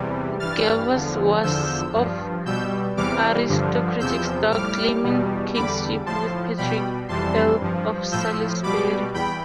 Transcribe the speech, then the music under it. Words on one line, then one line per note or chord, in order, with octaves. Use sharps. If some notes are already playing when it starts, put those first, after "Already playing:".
Gervase was of aristocratic stock, claiming kinship with Patrick, Earl of Salisbury.
Already playing: E2 C3 E3 G3
G2 E3 G3 F6 A6
E2 D3 F3
E2 D3 F3 E6 G6
G2 F3
B2 G3 E6 G6
E2 C3 E3 G3 D6 F6
G2 D3 F3
E2 C3 F3 E6 G6
A2 G3 D6 F6
E2 B2 G3
E2 D3 G3 B5 D6
A2 F3 A5 C6
B2 G3 G5 B5
F2 C3 E3 G3 A5 C6
G2 F3
A2 F3 E6 G6
B2 G3 B5 D6
E2 G5 B5